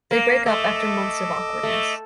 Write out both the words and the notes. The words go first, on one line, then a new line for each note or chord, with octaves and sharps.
They break up after months of awkwardness.
A#3
A3 D#5 D6 E6
A3